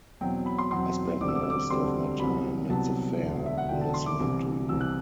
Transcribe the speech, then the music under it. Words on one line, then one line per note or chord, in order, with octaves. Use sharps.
I spent most of my time at the fair listening to you.
E2 B2 F#3 C4 G5
B5
C6
E2 B2 F#3 C4 C6
E1 D2 D3 G3 C4 D6
E6
D6
E6
D6
E1 D2 D3 G3 C4 C6
C2 C3 F#3 B3 B5
C2 C3 F#3 B3 A5
E1 D2 D3
E5
F#5
E1 D2 D3 G5
A5
C6
D6
C2 C3 E3
C2 C3 E3 E6
F#6